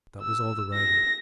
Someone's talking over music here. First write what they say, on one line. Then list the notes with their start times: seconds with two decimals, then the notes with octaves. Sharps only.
That was all the writing.
0.21 E6
0.74 A#6